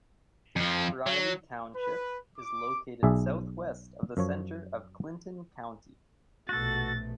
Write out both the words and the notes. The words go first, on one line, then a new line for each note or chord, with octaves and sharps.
Riley Township is located southwest of the center of Clinton County.
F2 F3
F#3
B4
D6
B1 G#4 D5 E5
F#2 F3 C#5
A#1 B2 A3 F#4 A4 A6